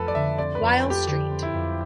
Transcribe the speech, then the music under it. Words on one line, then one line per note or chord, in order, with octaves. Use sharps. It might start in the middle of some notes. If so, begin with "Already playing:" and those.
While St.
Already playing: F2 A3 C4 A4 B4
D5
D3 E5
C4 D5
B4
F2
A3
G4
D3 G4
C4
E4
F2